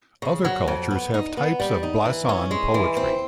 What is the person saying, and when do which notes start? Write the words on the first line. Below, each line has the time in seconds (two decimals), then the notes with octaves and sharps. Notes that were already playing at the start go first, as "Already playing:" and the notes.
Other cultures have types of blason poetry.
0.22 C#3
0.45 F#3
0.67 F2
0.91 B3
1.14 D#4
1.37 B3
1.60 G3
1.83 D#4
2.06 E3
2.29 C#4
2.51 G#3
2.74 E3
2.97 C4